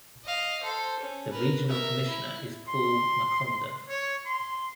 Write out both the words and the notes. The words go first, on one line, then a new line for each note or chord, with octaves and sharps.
The regional commissioner is Paul Makonda.
D#5 F5
A4 C5
C#4
A#4 B4
A#4 E5
E4
C6
C#5
C6